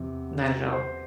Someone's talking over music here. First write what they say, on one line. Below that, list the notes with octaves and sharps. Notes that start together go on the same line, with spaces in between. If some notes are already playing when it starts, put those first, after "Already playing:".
not at all,
Already playing: E2 C3
C5